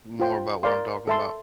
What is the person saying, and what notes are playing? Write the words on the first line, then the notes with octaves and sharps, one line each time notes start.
more about what I'm talking 'bout,
F4 C5 G5 C6
A#4 D5 F5 C6
A4 E5 A5 C6